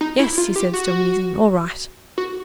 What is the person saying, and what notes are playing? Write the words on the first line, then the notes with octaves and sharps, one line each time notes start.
"Yes!" he said, still musing, "all right!"
D#4
E4
F4
G4
F#4
F#4